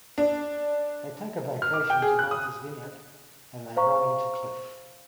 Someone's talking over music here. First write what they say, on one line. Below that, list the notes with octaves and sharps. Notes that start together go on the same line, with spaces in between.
They take a vacation to Martha's Vineyard and they run into Cliff.
D4
F6
D6
G5
G#4
F#6
D#6
C5 F5 A#5 C#6